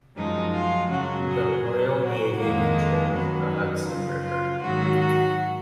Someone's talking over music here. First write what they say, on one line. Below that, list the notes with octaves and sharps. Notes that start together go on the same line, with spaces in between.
The Royal Navy controlled the Hudson River.
F#2 F3 G#3 D#4
F4
F#2 C#3 F#3 F#4
G#4
A#2 F#3 G#4
F#4
F2 D#3 G#3 A#3
F#2 D#3 F#3 B3
D#4
F#2 C#3 F3 F4
F4
G#2 D#3 F#3 F#4
F#4